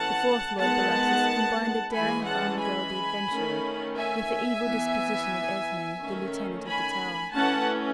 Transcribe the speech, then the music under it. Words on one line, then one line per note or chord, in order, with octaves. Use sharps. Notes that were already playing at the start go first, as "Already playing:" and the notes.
The fourth Lord Bellasis combined the daring of Armigell, the adventurer, with the evil disposition of Esme, the Lieutenant of the Tower.
Already playing: E3 A3 C#4 F#5 A5
D#3 G#3 B3 F#5 A5
E3 G#3 C#4 G#5 B5
F#5 A5
G#5 B5
D#3 A3 C#4
E5 G#5
E3 B3
D#3 A3 C#4
G#5 B5
E3 A3 C#4 F#5 A5